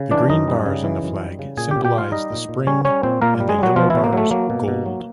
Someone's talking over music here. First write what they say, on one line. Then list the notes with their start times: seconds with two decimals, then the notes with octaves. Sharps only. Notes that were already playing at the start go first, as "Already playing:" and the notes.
The green bars in the flag symbolize the spring and the yellow bars gold.
Already playing: C#3
0.11 E3 D4 D5
0.29 F#2 D#4 D#5
0.48 G3
0.66 C#3
0.84 E3
1.03 F#2
1.21 G3
1.39 C#3
1.57 A#2 G#4 G#5
1.71 G4 G5
1.76 A#2
1.85 G4 G5
1.94 G3 F4 F5
2.12 G3 D#4 D#5
2.30 A#2
2.49 A#2
2.67 G3 C#4 C#5
2.85 G3 C#4 C#5
3.03 A#2 C4 C5
3.22 A#2 A#3 A#4
3.40 G3
3.49 G#3 G#4
3.58 F#3 G3 F#4
3.76 B2 F3 F4
3.90 B2 E3 E4
4.04 A#3
4.13 F#3 A3
4.31 F#3 A#3
4.50 B2
4.68 B2
4.86 F#3